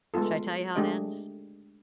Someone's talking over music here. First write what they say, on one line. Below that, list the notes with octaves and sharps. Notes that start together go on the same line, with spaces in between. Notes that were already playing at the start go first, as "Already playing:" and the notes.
should I tell you how it ends?
G#3 A3 B3 F4 A4
G#3 A3 D4 G4 D#5